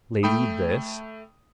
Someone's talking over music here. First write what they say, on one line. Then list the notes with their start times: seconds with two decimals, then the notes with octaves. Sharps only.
Lady this.
0.23 A3 G5 B5 D#6